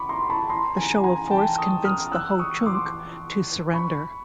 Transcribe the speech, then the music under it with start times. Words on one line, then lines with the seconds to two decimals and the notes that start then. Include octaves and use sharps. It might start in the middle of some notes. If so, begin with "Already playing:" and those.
The show of force convinced the Ho-Chunk to surrender.
Already playing: B5 C#6 D6
0.09 A#5 C6
0.30 A5 B5
0.49 A#5 C6
0.77 G#5 A#5
1.04 G#5 A#5
1.30 G5 A5
1.57 C#6 D#6
1.85 D#6 F6
2.12 E6 F#6
2.39 C#6 D#6
2.66 C6 D6
3.74 B5 C#6